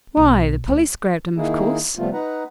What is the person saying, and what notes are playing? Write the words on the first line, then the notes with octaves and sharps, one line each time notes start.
'Why, the p'leece grabbed him, of course.
B1
D2
D#3 A#3 D#4 E4 G#4
C3 F3 G3 A3 B3 F4
D#4 B4 F#5 A#5